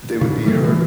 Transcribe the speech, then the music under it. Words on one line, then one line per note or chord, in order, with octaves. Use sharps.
they would be hurt
C#3
E3 G3 A3 A#3
E3